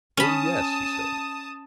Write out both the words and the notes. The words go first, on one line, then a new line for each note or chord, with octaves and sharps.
"Oh, yes!" he said.
C#4 A5 B5 D#6